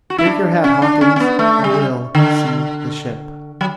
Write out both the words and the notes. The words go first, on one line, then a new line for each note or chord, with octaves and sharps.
"Take your hat, Hawkins, and we'll see the ship."
F#4
E4
D4
C#4
D4
C#4
C#4
B3
A3
G3
D3
F#3